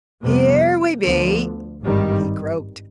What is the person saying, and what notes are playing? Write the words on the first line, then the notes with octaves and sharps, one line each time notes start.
"Here we be!" he croaked.
F2 C3 G3 B3
D2 D3 F3 B3
G#1 G2 D#3 G3